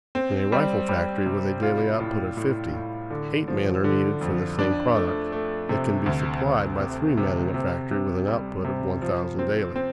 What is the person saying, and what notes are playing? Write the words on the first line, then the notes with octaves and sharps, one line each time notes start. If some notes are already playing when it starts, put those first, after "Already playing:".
In a rifle-factory with a daily output of fifty, eight men are needed for the same product that can be supplied by three men in a factory with an output of one thousand daily.
C4
G3
G3
C3
F4
A2
A2
A2
D3
F3
D3
F2
D4
A3
A3
C3
D2
D2
C3
C3
C3
C3
G3
C3
F3
C4
C4